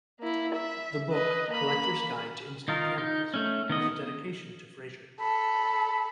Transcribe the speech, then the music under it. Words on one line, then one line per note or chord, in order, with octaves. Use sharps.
The book "Collector's Guide to Instant Cameras" has a dedication to Fraser.
A#3 E4
E5
B4 D#5
A#3 B5
D#3 D#4 F4 A#4
D#4
A3 C#4
D#3 B3 D#5
A4 B5